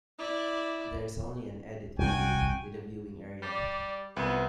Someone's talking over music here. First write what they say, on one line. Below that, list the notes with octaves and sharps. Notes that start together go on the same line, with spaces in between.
There is only an "edit view" with a viewing area.
E4 D5
C2 F#4 G5 G#5
G3 D5
C2 F2 B3 B4